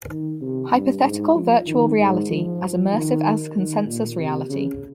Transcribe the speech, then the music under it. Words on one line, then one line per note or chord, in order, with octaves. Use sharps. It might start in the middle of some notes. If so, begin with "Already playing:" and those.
Hypothetical virtual reality as immersive as consensus reality.
D#3
C3
G2
G#2
F3
D#3
G#2
F3
D#3
D#3
A#2
C3
C#3